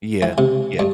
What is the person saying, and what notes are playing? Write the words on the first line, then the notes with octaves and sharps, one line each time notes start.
Yeah, yeah.
E3
C3
G2